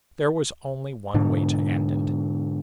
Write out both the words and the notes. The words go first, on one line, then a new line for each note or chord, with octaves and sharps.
There was only one way to end it.
G#2 B2 D3